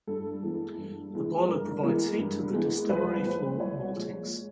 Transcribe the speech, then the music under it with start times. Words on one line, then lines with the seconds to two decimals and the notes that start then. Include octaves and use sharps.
The boiler provides heat to the distillery floor maltings.
0.07 G2 A4
0.43 E3 G#3 B3
0.78 G2
1.14 E3 G#3 B3
1.48 G2 A#4
1.83 E3 G#3 B3
2.18 G2
2.53 E3 G#3 B3
2.89 C2 B4
3.24 A#2 F3 G#3 C5
3.60 C2 C#5
3.95 A#2 F3 G#3